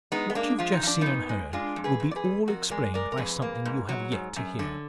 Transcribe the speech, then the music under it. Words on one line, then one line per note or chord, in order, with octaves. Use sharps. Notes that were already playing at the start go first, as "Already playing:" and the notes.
What you've just seen and heard, will be all explained by something you have yet to hear.
G#3 B3 D#4
B3
G#3 A#3 D4
F3 F4
D#4
F3 D4
A#2 B3 D#4
G#3
G#3 D4 F4
F2
G#4 B4
F2
D5
G#4 B4
F2
F2 F#4 A#4
G#3 A#4 D5
G#3 A#4 D5
A#4
F2 G#4 B4
A#3
G#2
F#3
G#2
F#2
D3